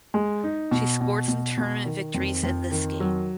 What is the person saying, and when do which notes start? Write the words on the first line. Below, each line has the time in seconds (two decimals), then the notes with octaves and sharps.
She scored some tournament victories in this game.
0.14 G#3
0.44 D#4
0.71 B2
1.01 B2
1.28 B2
1.58 B2
1.86 D#3
2.14 F2
2.43 F2
2.72 D#3
3.00 F#3